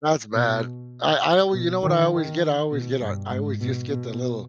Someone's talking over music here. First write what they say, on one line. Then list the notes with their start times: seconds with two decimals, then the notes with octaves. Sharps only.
That's bad. I I always you know what I always get? I always get a I always just get the little,
0.34 B2
1.53 B2
1.82 D#3
2.12 D#3
2.72 B2
3.01 G2
3.30 G#2
3.60 B2
3.89 B2